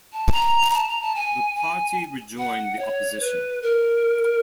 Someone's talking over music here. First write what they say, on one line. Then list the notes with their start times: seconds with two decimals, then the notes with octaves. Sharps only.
The party rejoined the opposition.
0.13 A5
0.32 A#5
0.74 A5
0.87 A#5
1.01 A5
1.15 G#5
1.56 G#5
2.38 F#5
2.79 C#5
3.20 B4
3.62 A#4